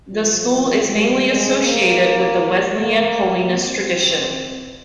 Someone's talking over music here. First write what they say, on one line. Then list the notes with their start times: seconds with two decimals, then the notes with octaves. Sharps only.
The school is mainly associated with the Wesleyan-Holiness tradition.
0.13 F3
0.90 G3
1.27 G#3
1.64 A#3
2.79 A#3
3.55 C4